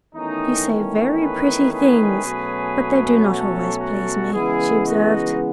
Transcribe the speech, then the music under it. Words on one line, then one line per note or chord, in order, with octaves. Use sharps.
"You say very pretty things; but they do not always please me," she observed.
E2 D#3 A3 C#4 D#4
G#4 B4
G#4 B4
B2 F#3 A3 C#4
F#4 A4
F#4 A4
C#3 E3 G#3 B3 E4 G#4
D#4 F#4